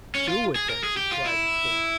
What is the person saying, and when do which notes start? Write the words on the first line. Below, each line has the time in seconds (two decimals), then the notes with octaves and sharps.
"Do with them!" she cried in scorn.
0.15 C#4
0.28 F4
0.56 G#4
0.70 A#4
0.84 G#4
0.97 G4
1.11 F4
1.25 E4